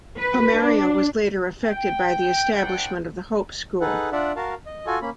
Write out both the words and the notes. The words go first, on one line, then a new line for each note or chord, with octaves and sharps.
Pomaria was later affected by the establishment of the Hope School.
B4
D4
G5
C2 D4 F#5 G5
D#4 G#4 A4 B4 F#5
D4 F4 D5 E5 F#5
F#4 A#4 F5 A5
D#5
F4 F#4 A4 G#5
A#3 C#4 B5